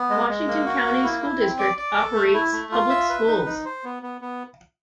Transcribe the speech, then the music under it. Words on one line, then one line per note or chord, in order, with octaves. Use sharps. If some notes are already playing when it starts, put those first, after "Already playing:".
Washington County School District operates public schools.
Already playing: B3
G#3
G#3
A#3
F#4
A#3
E4
E4
C4
D5
D5
A4
A3
E4
A3
F4
E5
B4
D#4
D#4
C5
B3
B3
B3